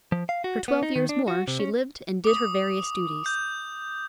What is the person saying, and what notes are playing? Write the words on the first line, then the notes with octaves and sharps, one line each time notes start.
For twelve years more she lived and did her various duties.
F3
F5
F#4
B3
D#4
D#3
D4
F#4
C3
C#4
D6 D#6
G6